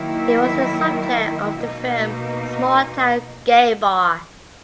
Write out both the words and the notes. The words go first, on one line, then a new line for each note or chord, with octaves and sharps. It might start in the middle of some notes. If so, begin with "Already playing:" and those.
It was the subject of the film "Small Town Gay Bar".
Already playing: D#3 F#3 A#3 E4
B2 A#3 D#4